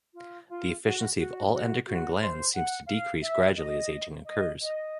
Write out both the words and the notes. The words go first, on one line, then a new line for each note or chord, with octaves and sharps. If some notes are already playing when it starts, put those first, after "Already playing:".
The efficiency of all endocrine glands seems to decrease gradually as aging occurs.
F4
F4
F#4
F#4
F#4
F#4
C5
F#5
F5
E5
D#5
D#5
D#5